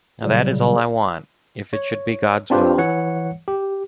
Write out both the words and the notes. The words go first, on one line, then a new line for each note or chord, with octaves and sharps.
Now that is all I want: if it should be God's will.
A#2 C#3 F#3 G3
C#5
C4 D4 F4 G4 B4 C5
E3 C#5 F#5 C#7
G4